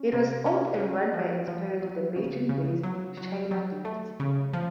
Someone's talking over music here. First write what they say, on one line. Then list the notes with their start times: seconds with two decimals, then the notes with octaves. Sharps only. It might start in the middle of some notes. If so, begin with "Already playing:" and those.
It was owned and run by its parent, the Beijing-based China Daily.
Already playing: C#4
0.13 C3
0.46 C#4
0.80 C#4
1.14 F3
1.48 F3
1.82 F#3
2.16 C#3
2.49 C#3
2.83 F#3
3.17 F#3
3.51 F#3
3.85 A3
4.20 C#3
4.53 F3